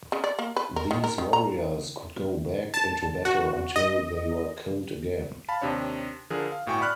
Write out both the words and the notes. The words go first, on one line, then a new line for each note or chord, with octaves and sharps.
These warriors could go back into battle until they were killed again.
C#3
D5
A#3
B4
A#4
D#3
A#4
D#3
A#5
A5
F#4
D#5
F5 A5 B5
D#2 C3 D4 C#5
D3 F3 G#4 A#4
F5
G1 A2 F#4 G5 G#5 C#6
D5 B5 F6 F#6